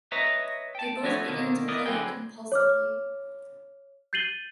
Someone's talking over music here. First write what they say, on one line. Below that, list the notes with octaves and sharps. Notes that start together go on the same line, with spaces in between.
They both began to play it compulsively.
B4 C#5 D#5 E5 A#5
G5 A5
F3 A3 F#4 B4 C#5
B2 D3 D#3 A#3
B3 E4 A#4 B4 D5 D#5
D3 F#3 C4 G#4 B4 G5
C#5 D6 F6
G6 A6 C7 D#7 F#7 G7